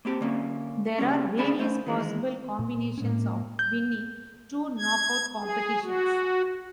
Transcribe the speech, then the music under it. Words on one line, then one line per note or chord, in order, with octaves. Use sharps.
There are various possible combinations of winning two knock-out competitions.
A#3 C4 G4
D3 A#3 C#4
C#3 F#3 G3 A#3 C#4
D2 C#4 D4 G#4 A5 B5
A3 C#4 C5
D#3 E3 G#3
A#2
A2 G#3 A#3 C#4
G6
G#6
G#4
F#4